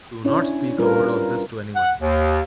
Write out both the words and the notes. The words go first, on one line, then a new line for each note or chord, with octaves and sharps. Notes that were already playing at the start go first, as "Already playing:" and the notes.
Do not speak a word of this to any one.
C#4 D4 E4 C#5
G3 F4 A#4 B4
F#5
D#2